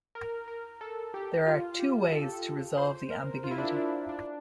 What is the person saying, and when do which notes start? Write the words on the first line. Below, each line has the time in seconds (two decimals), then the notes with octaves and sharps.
There are two ways to resolve the ambiguity.
0.15 A#4
0.48 A#4
0.81 A4
1.14 G4
1.46 F4
1.79 G4
2.12 A4
2.23 G4
2.34 A4
2.77 C5
3.10 A#4
3.44 F4
3.51 E4
3.58 D4
3.66 E4
3.76 D4
4.09 D4